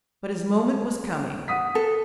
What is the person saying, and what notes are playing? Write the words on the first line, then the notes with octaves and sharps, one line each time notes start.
But his moment was coming.
F#5 D#6 B6
A4